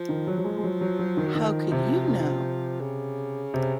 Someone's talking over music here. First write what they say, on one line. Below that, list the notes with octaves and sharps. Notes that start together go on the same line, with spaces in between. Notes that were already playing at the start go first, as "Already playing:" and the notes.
How could you know?
Already playing: F3
D#3
F#3
F#3
G#3
G#3
F#3
F#3
F#3
D#3
F#3
D#3 F3
C3
C3
C#3
C3